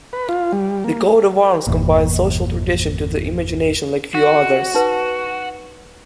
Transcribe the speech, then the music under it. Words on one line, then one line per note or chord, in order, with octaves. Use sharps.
The coat of arms combines social tradition to the imagination like few others.
B4
F4
G3
A#3
G1 E2 A#2
F#4
D#4 B4